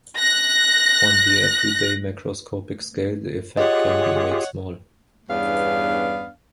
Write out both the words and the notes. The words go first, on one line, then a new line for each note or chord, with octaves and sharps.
On the everyday macroscopic scale the effect can be made small.
F#6 A#6
F4 G4 G#4 C#5 D#5 F#5
E2 G2 B3 C#4 D4 F5